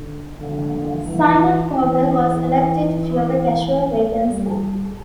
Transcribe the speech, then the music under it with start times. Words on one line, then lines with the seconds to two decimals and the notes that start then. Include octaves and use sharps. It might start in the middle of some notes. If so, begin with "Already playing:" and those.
Simon Corbell was elected to fill the casual vacancy.
Already playing: D3
0.40 D3
1.04 E3
1.69 E3
4.28 G3